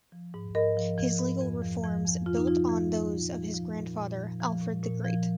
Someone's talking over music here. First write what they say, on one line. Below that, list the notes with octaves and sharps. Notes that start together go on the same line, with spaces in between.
His legal reforms built on those of his grandfather, Alfred the Great.
F3
G#2
G#2 A#4 D#5
F3
F3
G#2
F2
F3
F3
F2
F2 F4
D#4
F3 F4
F3
F2
A#2
F3
F3
A#2
A#2
F3
F3
A#2
A#2
F3